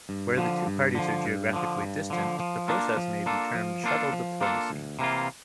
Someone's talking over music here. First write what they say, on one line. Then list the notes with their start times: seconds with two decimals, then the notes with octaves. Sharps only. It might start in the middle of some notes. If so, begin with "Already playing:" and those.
Where the two parties are geographically distant, the process may be termed shuttle diplomacy.
0.09 G2
0.38 D3 F3
0.67 G2
0.95 D3 F3
1.25 G2
1.53 D3 F3
1.82 G2
2.10 D3 F3
2.40 F3
2.68 A#3 D4 F4 A4
2.97 F3
3.26 A#3 D4 F4 A4
3.55 F3
3.84 A#3 D4 F4 A4
4.13 F3
4.41 A#3 D4 F4 A4
4.70 D2
4.99 C3 E3 A#3 F4